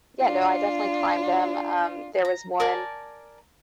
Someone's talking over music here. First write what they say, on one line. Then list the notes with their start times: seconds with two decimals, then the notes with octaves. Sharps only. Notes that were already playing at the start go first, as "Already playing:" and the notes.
Yeah, no, I definitely climbed 'em. Um, there was one,
0.19 D4 F4
2.25 A#5
2.60 A#4 D5 G#5 A5